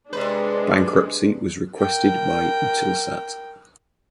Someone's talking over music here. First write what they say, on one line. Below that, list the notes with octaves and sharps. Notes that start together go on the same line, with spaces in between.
Bankruptcy was requested by Eutelsat.
C3 G#3 D4 B4
A#4 G5